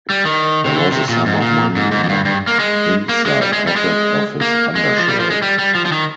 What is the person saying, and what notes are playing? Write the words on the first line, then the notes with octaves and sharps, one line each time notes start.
There was a sum of money in an inside pocket of his undershirt.
G3
D#3
C3
D3
C3
A#2
G#2
A#2
G#2
G#2
F2
G2
G2
A#3
G#3
A#3
G#3
G3
G#3
G3
G#3
A#3
G#3
F3
G3
F3
G#3
G3
G3
F3
F3
D#3